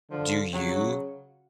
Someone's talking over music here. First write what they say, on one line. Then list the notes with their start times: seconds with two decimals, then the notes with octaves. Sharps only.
do you
0.11 D3 F3
0.52 C#3 F#3